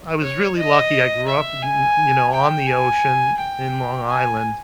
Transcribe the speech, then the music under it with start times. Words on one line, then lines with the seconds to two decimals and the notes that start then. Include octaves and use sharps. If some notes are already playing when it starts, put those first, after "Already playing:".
I was really lucky, I grew up, n n you know, on the ocean in Long Island,
0.22 C#5
0.57 D#5
1.28 E5
1.62 G#5
2.33 G5
2.67 G#5
3.37 G5
4.08 G#5